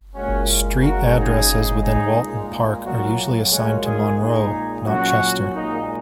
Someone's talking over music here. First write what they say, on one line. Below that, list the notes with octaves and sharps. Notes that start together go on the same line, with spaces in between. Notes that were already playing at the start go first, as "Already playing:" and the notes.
Street addresses within Walton Park are usually assigned to Monroe, not Chester.
A#2 G#3 C#4 F#4
C#3 G#3 F#4 A#4
D#4 G#4
C#3 G#3
D#4 G#4
A#2 G#3
A#2 F#3 F#4 A#4
A#2 G#3 C#4 F#4
D#4 G#4
A#2 G#3 D#4 G#4
A#2 F#3 C#4 F#4
A#2 G#3 A#3 D#4